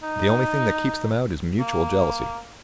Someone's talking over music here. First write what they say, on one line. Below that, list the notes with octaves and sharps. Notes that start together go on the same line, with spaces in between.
The only thing that keeps them out is mutual jealousy.
D#4
A#3